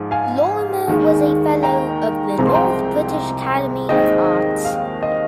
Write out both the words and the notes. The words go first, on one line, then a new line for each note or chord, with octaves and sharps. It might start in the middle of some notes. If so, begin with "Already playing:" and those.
Lorimer was a fellow of the North British Academy of Arts.
Already playing: G#2 F3 G#3
F5 G#5
D#2 D#3 G#3
G5 A#5
C2 C3 F3 G#3 C4 A#5
C6
G5 A#5
D#2 D#3 G#3 C4 D#5 G5
F5
D#5